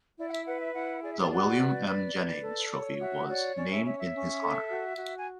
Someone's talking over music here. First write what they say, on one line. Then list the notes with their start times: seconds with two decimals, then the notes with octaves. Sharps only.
The William M. Jennings Trophy was named in his honor.
0.18 E4 D5
0.27 F#5
0.32 E5
0.46 B4 F#5
0.60 E5
0.74 E4 F#5
1.02 G#4 D5
1.12 E5
1.21 D5
1.31 F#4 D5
1.60 B4
1.87 B4
2.16 B4
2.43 A4
2.72 C#5
3.00 F#4 E5
3.28 C#5 D5
3.56 C#4 D5
3.71 E5
3.85 C#5 E5
3.99 E5
4.13 C#4
4.41 A4
4.70 F#4
4.97 F#4
5.17 G#5